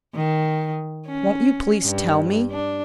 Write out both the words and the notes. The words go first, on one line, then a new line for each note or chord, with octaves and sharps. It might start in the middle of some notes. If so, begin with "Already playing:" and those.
"Won't you please tell me?"
D#3
C#4
G2
D4